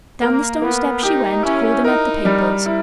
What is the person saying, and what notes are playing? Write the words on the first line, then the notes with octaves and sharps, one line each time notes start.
Down the stone steps she went, holding out the papers.
A#3 A#4
A#3 B3
D#4 G4
C#4 E4
D#4 A#4
G3
E4